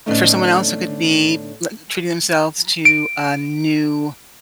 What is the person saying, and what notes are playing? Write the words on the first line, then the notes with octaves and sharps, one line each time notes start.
For someone else, it could be li treating themselves to a new
A2 D3 A3 B3 C#4 D#4
D7